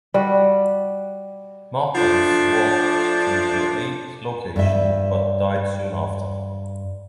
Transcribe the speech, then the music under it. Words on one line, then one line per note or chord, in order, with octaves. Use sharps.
Martins walked to the aid location but died soon after.
G3 F#4
F3 A3 D4
G2 E5